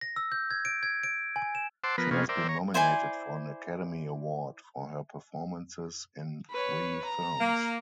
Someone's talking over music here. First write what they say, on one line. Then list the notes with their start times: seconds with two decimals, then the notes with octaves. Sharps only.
She has been nominated for an Academy Award for her performances in three films.
0.01 A#6
0.16 E6
0.32 G6
0.51 G#6
0.65 D7
0.83 G#6
1.03 D7
1.36 G#5
1.55 E7
1.84 C5 F#5 A5 C6 D6 E6
1.98 F3 B3 A#4 B4
2.11 C3 A#3 B3 C#4 F4 G#4
2.29 A#4 C5 D5 E5 G5
2.49 C#5 A#5
2.74 E4 C5 D5 G#5
6.51 B4 C#5
7.04 A#5
7.40 A#3